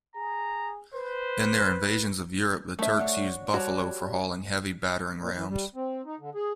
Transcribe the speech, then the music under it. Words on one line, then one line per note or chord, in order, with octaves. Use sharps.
In their invasions of Europe, the Turks used buffalo for hauling heavy battering rams.
G#4 A#5
B4 C5
E3 A3 E5
D4 F#4 C#5
G3 F#4 C#5 D5 A5
A#2
E3
G3
C4
D#4
D3
G#4